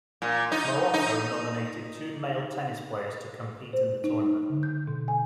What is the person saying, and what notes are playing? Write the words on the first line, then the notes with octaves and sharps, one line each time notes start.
Morocco nominated two male tennis players to compete in the tournament.
A#2
D#4
D#4
C5
D#4
D3
G6
B2
G#5